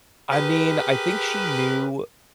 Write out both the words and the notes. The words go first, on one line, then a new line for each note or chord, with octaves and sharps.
I mean, I think she knew
G4 G#4 A#4 B4